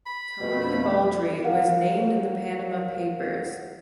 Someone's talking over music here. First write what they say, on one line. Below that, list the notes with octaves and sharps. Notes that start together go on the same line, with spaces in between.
Tony Baldry was named in the Panama Papers.
B5
F2 B2 A3
A#4 F5 F#5